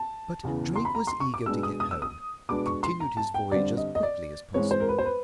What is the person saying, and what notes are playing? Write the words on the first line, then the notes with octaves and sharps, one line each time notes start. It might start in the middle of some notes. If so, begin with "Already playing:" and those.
But Drake was eager to get home and continued his voyage as quickly as possible.
Already playing: A5
E2 C#3 E3
C6
B5
A#5
C6
C#6
D6
B2 G#3 B3 D4 E6
D#6
D#6
E6
D#6
B2 G#3 B3 D4 D6
C#6
C6
A#5
A5
G5
G2 D3 G3 C4 D5
D#5
D#5
D5
G#2 E3 G#3 C4 C#5
C5
A#4
B4
C5
B4